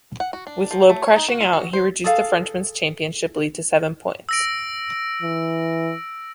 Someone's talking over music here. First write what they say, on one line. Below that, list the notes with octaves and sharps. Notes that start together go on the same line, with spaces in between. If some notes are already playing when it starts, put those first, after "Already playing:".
With Loeb crashing out, he reduced the Frenchman's championship lead to seven points.
F#5
F#4
D4
F3
A3
C#5
D#4
F#4
F4
F#4
C5
G#4 A4 F5
E6 A#6 D7
E3